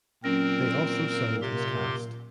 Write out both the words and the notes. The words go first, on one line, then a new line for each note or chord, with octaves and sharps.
They also signed his cast.
A#2 F#3 C4 C#4 A#4 A#6
C3 G4 C6